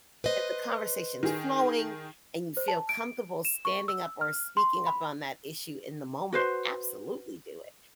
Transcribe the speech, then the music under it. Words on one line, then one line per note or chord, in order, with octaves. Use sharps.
if the conversation's flowing and you feel comfortable standing up or speaking up on that issue in the moment, absolutely do it,
B4 C5 D#5
D#3 G#4
C5
A5
D7
E7
C#6
E6
F6
C6
B5
F#4 B4 C5